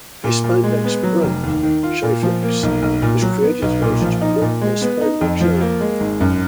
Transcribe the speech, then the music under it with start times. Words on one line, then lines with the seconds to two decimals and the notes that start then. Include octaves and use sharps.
A spandex brand, Sheiflex, is created in order to promote their spandex yarn.
0.24 A#2
0.44 A#2
0.64 G#3
0.84 B3
1.03 F#3
1.23 F1
1.43 D#2
1.63 D#3
1.83 F4
2.03 A#2
2.23 F3
2.43 A#3
2.63 B1
2.82 B1
3.02 A#2
3.22 F#3
3.42 B3
3.62 B1
3.82 A#2
4.01 F3
4.21 D#4
4.42 A#2
4.61 G#3
4.81 B3
5.01 D#4
5.21 F2
5.41 F3
5.61 A#3
5.80 G#3
6.00 G#1
6.21 F#2